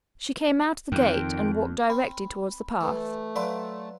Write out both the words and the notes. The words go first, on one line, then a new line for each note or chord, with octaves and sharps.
She came out of the gate and walked directly towards the path.
F2 D#3 G5
C4 B5
E3 A3
F#3 B4 D5 E5 F5 C6